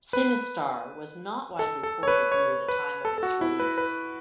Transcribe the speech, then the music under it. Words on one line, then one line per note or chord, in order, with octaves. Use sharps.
"Sinistar" was not widely ported near the time of its release.
B4
A4
A4
C#5
B4
C#5
B4
A4
A4
F#4
E4
B4
B4